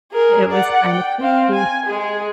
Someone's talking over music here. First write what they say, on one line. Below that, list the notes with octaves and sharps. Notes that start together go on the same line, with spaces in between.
it was kinda creepy.
G#4 A#4
D5 F#5
G5
C4 F5
G#5
G#3 G#4